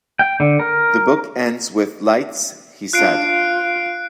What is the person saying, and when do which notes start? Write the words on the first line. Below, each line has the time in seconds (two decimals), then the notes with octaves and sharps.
The book ends with 'Lights' he said.
0.19 G5
0.40 D3
0.60 A#4
2.93 D4 F4 F#6 C7 D7
3.26 F4